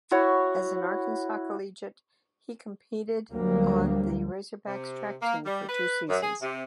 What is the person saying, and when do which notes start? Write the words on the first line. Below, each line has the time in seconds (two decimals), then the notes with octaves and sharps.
As an Arkansas collegiate, he competed on the Razorbacks' track team for two seasons.
0.11 E4 F#4 C#5
3.32 D2 F#3 G3 A#3
4.67 C3
5.22 A#3
5.46 G3
5.69 B4
6.09 F#2
6.23 G#4
6.42 C3